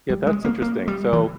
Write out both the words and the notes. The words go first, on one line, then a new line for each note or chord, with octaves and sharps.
Yeah, that's interesting. So
G3
G#3
A#3
A#3
G3
E3